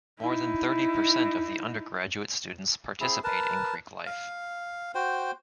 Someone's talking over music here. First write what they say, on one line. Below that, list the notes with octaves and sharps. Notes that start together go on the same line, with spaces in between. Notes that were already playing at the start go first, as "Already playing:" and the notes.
More than thirty percent of the undergraduate students participate in Greek Life.
D#4 E4
C4 E4 G#4
A#4 B4 A5
F5
F#4 C5 G5